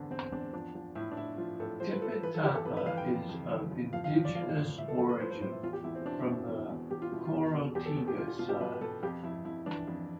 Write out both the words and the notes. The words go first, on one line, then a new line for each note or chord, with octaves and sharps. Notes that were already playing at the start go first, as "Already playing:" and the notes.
Tipitapa is of indigenous origin, from the Chorotega side.
Already playing: E2 D3 C4 D4
E2 C4
E2 D4
F3 D4
F3
A2 E4
D4
A2 E4
F3 F4
A2 A4
F3 C5
B4
F3 A4
A4
E3 B4
A4
E3 G4
A4
F2 B4
B4
E3 F5
G5
F2
F2
E3
F2
F3 F5
F5
A2
D5
F3 F5
A2
A2 E5
A4
F3 A4
B4
F3 C5
C5
A2 C5
E4
E2 F4
G4
E2 E4
C4
B2 D4
B2 E4
E2 E4
E2
E2 G4
F4
B2 E4
F4
E2
B2
E2 G4
A4
B2
G4
B2 F4
F4
B2 F4
G4
B2 B4
B4
B2 A4
F2 G4
F2 E4
F2 E4
E3 D4
F2